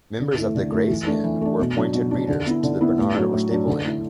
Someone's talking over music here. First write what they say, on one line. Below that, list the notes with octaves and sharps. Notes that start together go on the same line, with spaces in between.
Members of the Gray's Inn were appointed readers to the Barnard or Staple Inn.
D3
A3 E4
D3
A3 E4
E3
A3 D4
E3
A3 D4
B2
F#3 D4
B2
F#3 D4
D3
B3 E4
D3
B3 E4
A2
F#3 D4
A2
F#3 D4
D3
A3 E4